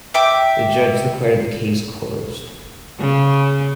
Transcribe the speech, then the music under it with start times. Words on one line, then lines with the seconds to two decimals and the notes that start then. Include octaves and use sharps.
The judge declared the case closed.
0.14 E5 G5 D6
2.99 C#3